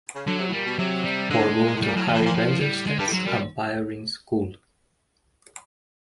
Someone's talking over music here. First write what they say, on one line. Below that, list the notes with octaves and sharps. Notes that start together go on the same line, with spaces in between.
Or go to Harry Wendelstedt's umpiring school.
C#3
D3 F#3
C3
A2
A#2 G3
B2
C3 F#3
G3
D3 G#3
A2
A#2
A2
A#2 G3
A2 F#3
A#2 E3
A2
F3
A#2
A2 F3
G3
G#3
G2 G3
A2
G#2 F#3
F#2 G3